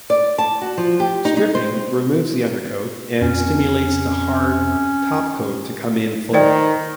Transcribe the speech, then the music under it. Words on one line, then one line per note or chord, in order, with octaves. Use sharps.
Stripping removes the undercoat and stimulates the hard top coat to come in fuller.
D5
A5
F#4
F3
G4
D#4
D#4
C5
F2 C#4
D#3 C5 D5 G5